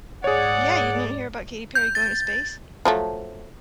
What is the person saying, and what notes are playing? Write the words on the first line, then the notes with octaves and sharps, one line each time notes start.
Y y yeah, you didn't hear about Katy Perry going to space?
G#2 G#4 C#5 D5 F#5
G6
A6
F3 F#3 A3